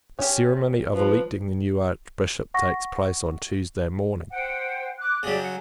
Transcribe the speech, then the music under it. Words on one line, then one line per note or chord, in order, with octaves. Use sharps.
The ceremony of electing the new Archbishop takes place on Tuesday morning.
C#4 G4
F3 B4
F#5 C#6 A#6
C5 F#5 G5
D6 F#6
C#3 F#3 G4 D5
F#5